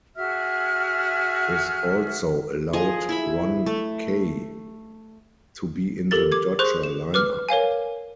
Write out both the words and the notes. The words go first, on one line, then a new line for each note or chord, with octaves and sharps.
This also allowed Ron Cey to be in the Dodger lineup.
F#4 G#4 E5 F6
F3 G#4 D#5
E4 E5 B5
A3
G4 A4 A#4 A6
D6 G#6
G#4 C5 C6 C#6 F#6
E7
B4 D6 F6
A#4 C#5 F5 G#5